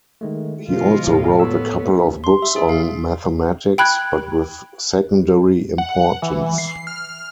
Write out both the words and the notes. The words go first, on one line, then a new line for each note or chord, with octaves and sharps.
He also wrote a couple of books on mathematics, but with secondary importance.
D#3 G#3 A3
B2 D3 F3 G#3 F4
A2
B3 C#5 E6
C6
E5
G#4
F5
G5 B5 F#6 G#6
F#5
E3
C7
F6